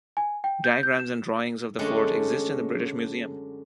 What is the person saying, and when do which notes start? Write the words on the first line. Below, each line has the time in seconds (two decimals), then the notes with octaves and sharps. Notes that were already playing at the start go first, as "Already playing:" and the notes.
Diagrams and drawings of the Fort exist in the British Museum.
0.17 G#5
0.44 G5
0.64 G6
0.83 G6
0.99 E7
1.79 F#2 D3 G#3 A3 C#4 D4